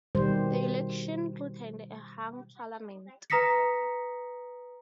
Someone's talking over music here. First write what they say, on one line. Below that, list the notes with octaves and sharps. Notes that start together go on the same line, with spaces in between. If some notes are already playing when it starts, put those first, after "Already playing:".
The election returned a hung parliament.
B2 D#3 G3 C5
B4 A#5 D#6 A#6 B6 C#7